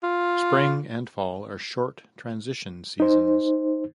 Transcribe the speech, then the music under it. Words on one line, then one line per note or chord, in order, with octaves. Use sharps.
Spring and fall are short transition seasons.
F4
D#4 C5